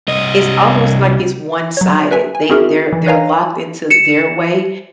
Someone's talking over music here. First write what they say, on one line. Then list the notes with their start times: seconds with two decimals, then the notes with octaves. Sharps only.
It's almost like it's one-sided. They they're they're locked into their way
0.08 C2 D#5
1.77 F#3 C#5
2.11 B4 E5 G#5
2.35 G#5
2.49 C4 E4 F#4 G#4 A#4 E5
2.93 E3
3.06 B4 C#5 D#5 F5 G#5 A#5
3.90 C#7 E7